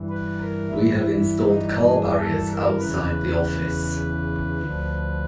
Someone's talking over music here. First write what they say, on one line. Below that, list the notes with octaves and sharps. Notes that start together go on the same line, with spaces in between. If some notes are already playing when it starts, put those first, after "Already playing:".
We have installed car barriers outside the office.
Already playing: G2 E3
B4
A#4
E4
G2 E3 E4
D#4
G#4
A4
A#4
E2 C#3 E3 B4
D2 D3 F3